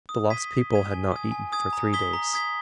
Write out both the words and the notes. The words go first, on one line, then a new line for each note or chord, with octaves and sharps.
The lost people had not eaten for three days.
D#6
G#6 B6 D#7 G7
D#6
G#6 B6 D#7 G7
G#5
D#6 G#6
G#5
D#6 G#6
A#5
D#6 G#6 B6 G7
A#5
D#6 G#6 B6 G7